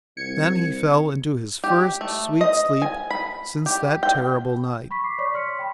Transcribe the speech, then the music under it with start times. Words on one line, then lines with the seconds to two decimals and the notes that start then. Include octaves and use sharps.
Then he fell into his first sweet sleep since that terrible night.
0.17 C2 G#6 C#7
1.64 G4
2.01 A3
2.41 D#5
2.82 G#5
3.11 B5
3.66 G4
4.03 G5
4.91 B5 C#6 B6
5.04 D6 C7
5.18 C#5 D5 C#6 D6 B6
5.34 C6 F6 B6 C#7
5.59 G5 B5 C6